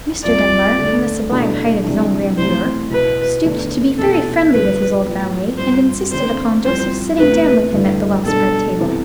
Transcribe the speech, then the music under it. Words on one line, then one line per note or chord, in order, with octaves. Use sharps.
Mr. Dunbar, from the sublime height of his own grandeur, stooped to be very friendly with his old valet, and insisted upon Joseph's sitting down with him at the well-spread table.
C2 C3 F3 D5
D2 D3 A3
E2 B2 A3 D4
C3 E3 G3 D4
D2 C3 E3 C5
B2 B3 E4 B4
E2 D3 A3 D4
E2 B2 A3 E4 A4
G2 D3 F3 B4
A2 F3 B3
G2 F3 C4 C5
E2 D3 A3 C4 C5
F2 E3 G3 C4 C5
D2 C3 E3 B3 B4
G2 D3 A3 E4
B2 G3 D4 A4
C3 E3 B3 E4